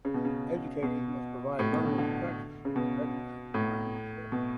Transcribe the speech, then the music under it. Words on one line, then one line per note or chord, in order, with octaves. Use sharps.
Educators must provide learners practice in recognizing frames of reference.
C#3
B2
C#3
B2
A2
B2
D3
D3
C#3
B2
A2
B2